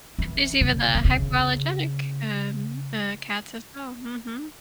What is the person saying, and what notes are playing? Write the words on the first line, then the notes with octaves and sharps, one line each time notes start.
There's even the hypoallergenic, um, uh, cats as well, mhm.
E3
C#3
E3
C#3